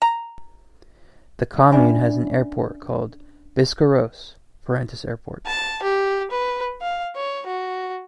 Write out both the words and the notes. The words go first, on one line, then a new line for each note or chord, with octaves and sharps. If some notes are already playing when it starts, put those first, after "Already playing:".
The commune has an airport, called Biscarrosse - Parentis Airport.
A#5
C#4 D4 D5 E5 G#5 B5
A5
G4
B4
F5
C#5
F#4